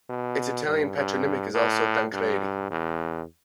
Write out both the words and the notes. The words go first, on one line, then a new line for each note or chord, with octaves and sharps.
Its Italian patronymic is also Tancredi.
B2
G2
G2
A2
G2
E2